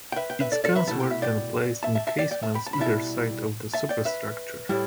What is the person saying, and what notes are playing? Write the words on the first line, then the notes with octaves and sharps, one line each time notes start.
Its guns were then placed in casements either side of the superstructure.
G5
B4 E5
G5
B4 E5
A4 D5
A4 D5
B4 E5
B2 A3 E4 A5
G5
E5
D5 G5
E5 A5
E5 A5
E5 A5
D5 G5
D5 G5
E5 A5
G5 B5
A5
B5
B2 G3 E4 E5 A5
E5 A5
D5 G5
B4 E5
A2 G3 E4